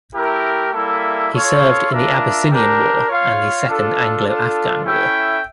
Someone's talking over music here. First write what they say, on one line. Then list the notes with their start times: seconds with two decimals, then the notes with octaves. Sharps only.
He served in the Abyssinian War and the Second Anglo-Afghan War.
0.15 A3 E4 G4 A#4
0.73 G3 A#3 E4 A4 E5
1.32 F4 A4 C#5 F5
1.90 D4 F4 A#4 E5
2.49 D4 G4 A#4
3.08 F4 C#5 F5
3.66 D4 F4 A4
4.25 D4 F4 A4
4.84 C#4 E4 A4 E5 G5